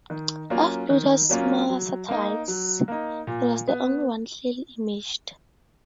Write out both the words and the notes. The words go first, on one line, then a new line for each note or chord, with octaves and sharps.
Of Pluto's smaller satellites, it was the only one clearly imaged.
D#3
F#3 A#3 C#4 F4
D#3
F#3 A#3 C#4 F4
F#3
A#3 D#4
F#3
A#3 D#4
A#2
B3